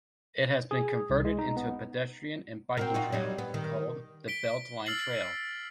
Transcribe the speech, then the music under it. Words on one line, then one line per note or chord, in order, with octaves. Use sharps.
It has been converted into a pedestrian and biking trail, called the Beltline Trail.
G#4
C2
G#3
D#4
B3
C4 F#4 A#4
D#4 F4 F#4
F#3 G3 D#4
B3
D#3
B6 D7 G7
E6 F6 A6 C7 F#7